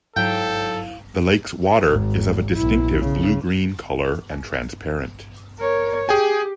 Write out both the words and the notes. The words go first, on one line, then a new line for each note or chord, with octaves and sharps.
The lake's water is of a distinctive blue-green colour and transparent.
G#2 F#3 E4 A4 F5 G5
G#1
B1 E4
C#3
A#4 C#5
G4 G#4 G5 G#5